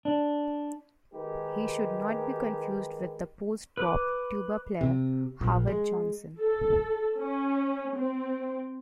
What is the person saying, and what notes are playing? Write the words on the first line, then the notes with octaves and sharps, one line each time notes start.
He should not be confused with the post-bop tuba player, Howard Johnson.
D4
D#3 G#3 D#4 G4 B4
B4 D6
C3
A#1
G#3
A4
C#4
C4